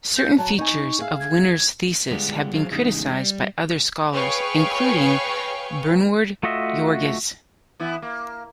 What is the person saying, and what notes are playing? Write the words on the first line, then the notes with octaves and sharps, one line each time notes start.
Certain features of Winner's thesis have been criticized by other scholars, including Bernward Joerges.
G6
F#3 A5
D#4 G#5 C#6
G#4 E5 F5
G#6
D3 G3 G#3 B3 F4 G4
F#3 D4 F#4 G#4 C5 F5
E2 A2 C#3 G#3 D#4 G4
G3
G#4 B4 C#5 F5 G5 C#6
A3 F4 F#4 D#5 E5
E3 B3 E4
A#3